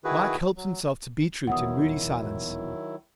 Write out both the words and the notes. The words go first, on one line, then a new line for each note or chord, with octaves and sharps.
Mike helped himself to beetroot in moody silence.
D#3 E4 F#4 G#4 B4
F#3
D#1 E2 B2 D#3 F#3 E4 F#5 D#6